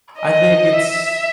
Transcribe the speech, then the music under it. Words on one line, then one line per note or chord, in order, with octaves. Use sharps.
I think it's
D#5
E5